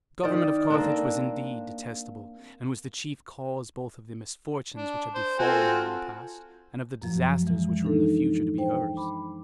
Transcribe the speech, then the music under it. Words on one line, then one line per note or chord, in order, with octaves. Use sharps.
The government of Carthage was indeed detestable, and was the chief cause both of the misfortunes which had befallen her in the past, and of the disasters which were in the future to be hers.
D#3 D5
A#3 C4 D4
D4
C5
C4 F4 F#4 A4 G#5
F#2 F3 F#3
E3 G#3
D4 D#4 A4
C5 G5
B5 D6